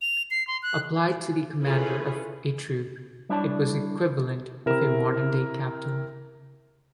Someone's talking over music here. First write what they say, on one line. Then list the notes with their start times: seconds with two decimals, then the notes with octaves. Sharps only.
Applied to the commander of a troop, it was equivalent of a modern-day captain.
0.02 F7
0.31 C7
0.47 C6
0.63 F#6
1.63 C#4 E4 F4 G#4 A4 B4
3.29 G3 D4 E4 C#5 D5 A5
4.66 C3 E4 A#4 E7